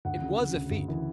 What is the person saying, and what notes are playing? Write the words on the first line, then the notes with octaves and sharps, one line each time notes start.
It was a feat.
D2 F#5
C#3
C#3
D2
D2
E3